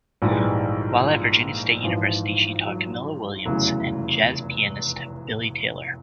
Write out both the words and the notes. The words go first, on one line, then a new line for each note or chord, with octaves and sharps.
While at Virginia State University, she taught Camilla Williams and jazz pianist, Billy Taylor.
A#1 G#2 E3 G3
G#3
G3
G#1 G#2 E3 F3
F#3
F1 E2 C#3 E3 F#3